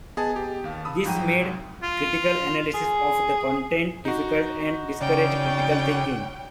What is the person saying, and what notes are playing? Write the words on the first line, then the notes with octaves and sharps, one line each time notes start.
This made critical analysis of the content difficult and discouraged critical thinking.
B3 G#4 D#5 G#5 A5 A6
G4
D#2 F5
A5 B5 D#6 E6
G#2 F3 F#3 G5 A#5 D#7
C2
F4
G#4
D#4 F#4
C#3 D5 G5